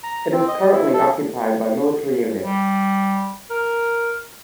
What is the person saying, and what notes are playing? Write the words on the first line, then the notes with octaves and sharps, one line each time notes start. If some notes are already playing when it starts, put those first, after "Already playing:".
It is currently occupied by military units.
A#5
C4
D#5
E4
A4
G3
A#4